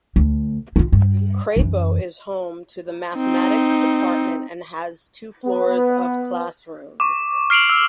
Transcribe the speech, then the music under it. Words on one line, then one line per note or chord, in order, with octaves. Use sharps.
Crapo is home to the Mathematics Department and has two floors of classrooms.
D2
E4 F4
G2
F#2 E3
C4 D#4
B3
C#6 D6
F6 C7 D7 F7 F#7
E6